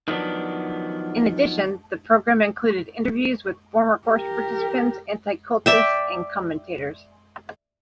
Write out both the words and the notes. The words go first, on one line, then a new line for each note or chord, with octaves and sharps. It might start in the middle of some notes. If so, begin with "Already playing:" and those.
In addition, the program included interviews with former course participants, anti-cultists, and commentators.
D#3 F3 F#3 B3 D4
G4 A#4
D5 E5 G5